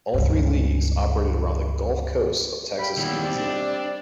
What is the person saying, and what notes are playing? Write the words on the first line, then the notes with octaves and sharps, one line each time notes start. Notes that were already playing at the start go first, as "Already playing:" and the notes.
All three leagues operated around the Gulf coasts of Texas and Louisiana.
C#2 G2
G3 F5 G5 B5
F#2 A#2 D#3 B3 E4
C4 D5
D4